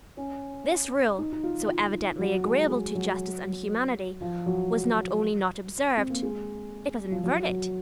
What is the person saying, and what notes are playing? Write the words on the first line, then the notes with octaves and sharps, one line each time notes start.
This rule, so evidently agreeable to justice and humanity, was not only not observed: it was inverted.
C#4
D#4
D#4
F4
F4
F#3
G#3
G#3
F#3
F3
F#3
C4
A#3
G#3
F3
F#3
F#3